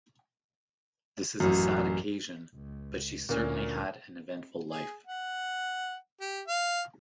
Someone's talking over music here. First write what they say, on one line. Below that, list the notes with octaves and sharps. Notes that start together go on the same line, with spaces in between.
This is a sad occasion, but she certainly had an eventful life.
A1 F#2
C#2
D2 A#2 A#3 C#4
G#4
F#5
G4
F5